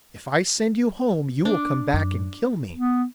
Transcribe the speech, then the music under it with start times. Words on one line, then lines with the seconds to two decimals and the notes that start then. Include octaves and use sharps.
If I send you home, you will come back, and kill me.
1.45 D4
1.93 F#2
2.75 B3